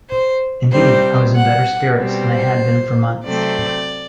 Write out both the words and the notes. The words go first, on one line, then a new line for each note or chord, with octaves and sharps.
Indeed I was in better spirits than I had been for months.
C5
C3 G3 C4 C5
F#5
B2 G3 C4
C5
C3 F#3 A3 C4 D5